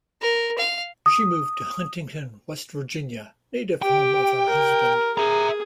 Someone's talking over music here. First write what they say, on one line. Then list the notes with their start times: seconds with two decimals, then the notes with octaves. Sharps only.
She moved to Huntington, West Virginia, native home of her husband.
0.21 A#4
0.58 F5
1.06 D#6
3.82 G4 G5
4.49 A#4
5.18 G#4 E5 A#5